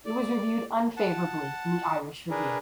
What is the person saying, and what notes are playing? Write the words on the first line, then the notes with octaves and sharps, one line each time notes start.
It was reviewed unfavourably in "The Irish Review".
D5
F#5 A5
D4 G#4 A#4 B4